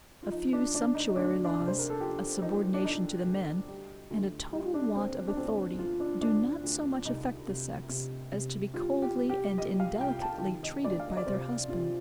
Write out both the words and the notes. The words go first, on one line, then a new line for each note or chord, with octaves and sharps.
A few sumptuary laws, a subordination to the men, and a total want of authority, do not so much affect the sex, as to be coldly and indelicately treated by their husbands.
F4
F3 D#4
D4
D2 D4
D#4
D#4
D2 D4
D4
C3
C5
A#4
A4
F3 G4
F3 D#4
D4
F3 D#4
D2
G3
D2
G3 D#4
D4
D2 C4
D4
D2 C4
D2 F4
D4
D2 D4
D2
C2 D#4
C3
C3
C3
G3 F4
G4
G3
G4
G3 D#5
F5
C2 G5
A5
D#3
D#5
D2 D5
F5
D#5
D5
C3 C5
C3 F4